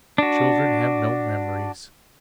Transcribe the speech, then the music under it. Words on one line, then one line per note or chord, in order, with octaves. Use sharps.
Children have no memories.
D4 F#4